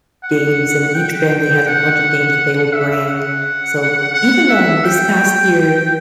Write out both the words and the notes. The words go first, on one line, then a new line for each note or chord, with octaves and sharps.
games, and each family has a bunch of games that they will bring. So even, um, this past year,
F#5
G5
F#5
E5
F#5
F#5
E5
G5